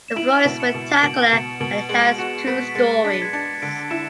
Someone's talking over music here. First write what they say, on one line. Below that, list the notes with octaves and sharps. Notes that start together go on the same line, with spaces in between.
The floor is rectangular and it has two stories.
E7
E4 D7 F#7
B2
C#7 E7
B2
B2 D7 F#7
B2 C#7 E7
B2 D7 F#7
G#3 D7 F#7
F#4 C#7 E7
B3 B6 D7
B6
G#3 A6 C#7
D4 B6
C#7
G#6 B6
D4 A6 C#7
D3 B6 D7
E4 C#7 E7